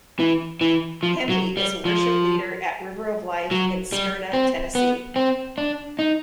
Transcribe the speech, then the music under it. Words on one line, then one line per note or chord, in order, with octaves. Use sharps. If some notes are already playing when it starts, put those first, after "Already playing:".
Hemby is a worship leader at River of Life in Smyrna, Tennessee.
E3
E3
F3
F#3
G3
F3
F#3
G3
C4
B3
C4
D4
D#4